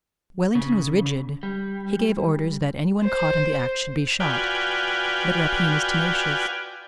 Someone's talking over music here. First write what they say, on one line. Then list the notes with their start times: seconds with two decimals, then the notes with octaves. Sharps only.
Wellington was rigid; he gave orders that any one caught in the act should be shot; but rapine is tenacious.
0.55 C#3
1.43 G3
3.04 C5
4.20 F4 F#4 B4 D5 G5 G#5